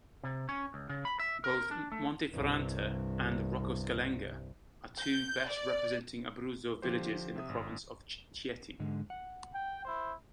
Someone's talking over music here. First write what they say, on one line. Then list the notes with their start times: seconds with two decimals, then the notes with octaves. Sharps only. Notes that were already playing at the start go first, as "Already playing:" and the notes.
Both Monteferrante and Roccascalegna are two best-representing Abruzzo villages in the province of Chieti.
0.23 C3
0.49 C#4
0.74 C#2
0.89 C#3
1.05 B5
1.19 E5
1.44 A#4
1.71 D4
1.92 A3
2.33 C2 G2
4.98 G6
5.47 D5
6.82 D3 F3 G4 C5
7.36 C3 E5 D#6
7.49 G#1
8.79 G#2 D3 G#3
9.10 F#5
9.54 G5
9.85 E4 C5